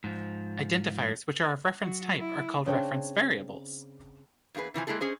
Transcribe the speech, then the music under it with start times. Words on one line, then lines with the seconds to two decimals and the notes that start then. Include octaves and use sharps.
Identifiers which are of reference type are called reference variables.
0.04 G#2 F3
1.81 F#3 F#4
2.19 E4
2.66 C#3 C4 D4 C#5
4.55 E2 A#3 F4 G#4 B4
4.74 C3 E3 F3 G#5
4.87 G#3 A#3 E4 G#4 A4
5.00 C#4 G#4 C5 D#5